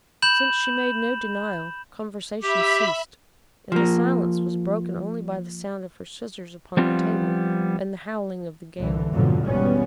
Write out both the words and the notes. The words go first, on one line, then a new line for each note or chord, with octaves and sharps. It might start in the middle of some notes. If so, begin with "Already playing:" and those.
Since she made no denial, conversation ceased, and the silence was broken only by the sound of her scissors upon the table and the howling of the gale.
B5 G6 E7 F#7
G4 E5 B5 B6
F3 A#3
F3 G3 B3 C4 F4
C2 D3 E3
F2 G#2 B2 D3 F3 F#3
G#1 E2 B2 G3 B3 C#4